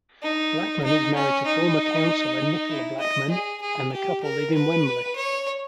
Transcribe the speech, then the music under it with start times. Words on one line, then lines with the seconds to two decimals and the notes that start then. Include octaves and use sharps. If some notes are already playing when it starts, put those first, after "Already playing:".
Blackman is married to former councillor Nicola Blackman, and the couple live in Wembley.
0.22 D#4
0.84 D#4
1.15 C#4
1.46 D#4
2.69 E4
3.00 D#5
3.30 G#4
3.61 G#4
3.92 G4
4.23 A#4
4.54 B4
5.16 C#5